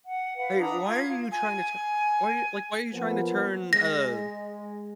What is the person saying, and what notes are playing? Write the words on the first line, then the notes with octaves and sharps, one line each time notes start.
Like, why are you trying to tu why are y like, why are you trying to turn a
F#5
B4 F5 F#5
D4 A#5 B5 D#6
F4 F5 G#6
G#5
F3 A#3 B3
G#3 A#6